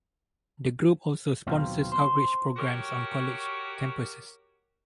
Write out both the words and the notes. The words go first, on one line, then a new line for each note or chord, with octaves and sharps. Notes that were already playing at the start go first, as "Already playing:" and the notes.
The group also sponsors outreach programs on college campuses.
D#2 B2 F#3 C4 F4
C5
F#4 G4 A#4 C#5